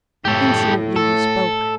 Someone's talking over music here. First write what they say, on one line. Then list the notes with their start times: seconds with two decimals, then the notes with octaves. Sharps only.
Insolently he spoke.
0.25 A2 G4 A4
0.96 A4